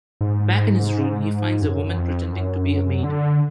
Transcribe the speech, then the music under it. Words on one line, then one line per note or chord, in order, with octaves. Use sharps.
Back in his room, he finds a woman pretending to be a maid.
G#2
F#2
F#2
F2
F#2
D3